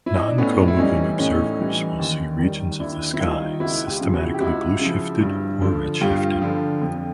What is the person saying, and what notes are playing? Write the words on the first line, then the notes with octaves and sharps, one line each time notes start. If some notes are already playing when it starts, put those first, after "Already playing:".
Non-comoving observers will see regions of the sky systematically blue-shifted or red-shifted.
E4
D#4
D4
A2 B3 C#4
E4
E3 G3 C#4 D#4
A2 C#4 D#4
E3 G3
D#2
D#3 G3
D#2 D4 E4
E4
D#3 G3 D#4 F4
C#2 E4 F#4
F4 G4
C#3 F3
E4 F#4
G4
C#2 E4 F#4
C#3 F3
G2
D3 F3
G2 F4 G4
D3 F3
F2